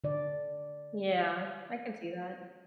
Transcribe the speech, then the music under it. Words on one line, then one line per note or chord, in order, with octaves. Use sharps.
Yeah. I can see that.
D3 D5